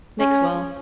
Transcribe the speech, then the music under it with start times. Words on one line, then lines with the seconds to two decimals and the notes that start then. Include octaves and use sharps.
Mix well.
0.20 C#4